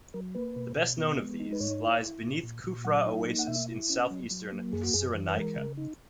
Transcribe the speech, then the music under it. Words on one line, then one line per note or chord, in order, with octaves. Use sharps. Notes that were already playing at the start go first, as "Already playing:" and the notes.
The best known of these lies beneath Kufra Oasis in southeastern Cyrenaica.
F#3 A#4
A#3 B4
B2
B2
B3
G#3
D#4
B4
G#2 C#5
E4
E4
A#2
A#2
A#2
F#3 F#5
D#4
A#3
F#5
B2 E5
E4
C#4
F#3
F#3
A#3
F#2 G#4
F#4
F#2 G#4
E3
B4
G#3 A#4
C#3
D#4